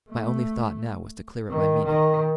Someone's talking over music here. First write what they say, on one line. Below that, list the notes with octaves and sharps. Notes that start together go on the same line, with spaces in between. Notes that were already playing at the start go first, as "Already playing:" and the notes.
My only thought now was to clear up my meaning.
A3
D#3
D#3